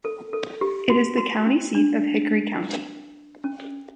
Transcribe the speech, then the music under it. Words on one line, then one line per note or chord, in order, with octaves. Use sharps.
It is the county seat of Hickory County.
A4
A4
G4
F#4
F#4
C#4
D4
C#4